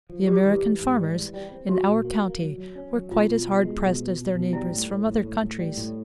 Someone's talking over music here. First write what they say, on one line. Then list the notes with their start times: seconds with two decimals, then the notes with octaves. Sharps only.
The American farmers in our county were quite as hard-pressed as their neighbors from other countries.
0.09 F3
0.27 G3 G4
0.46 E3
0.63 E3
0.81 G#2
0.99 G3
1.16 E3
1.34 G3
1.52 C4
1.69 F#3 F#4
1.87 A#2
2.05 A#3
2.22 A#3
2.40 F#3
2.58 F#3
2.75 C#4
2.94 F#3
3.11 B2 F4
3.29 B2
3.47 B2
3.65 G#3
3.82 B2
4.00 B2
4.18 B2
4.35 B2
4.53 G3 E4
4.71 A2
4.89 A2
5.07 A2
5.25 A2
5.43 A2
5.59 G3
5.78 A2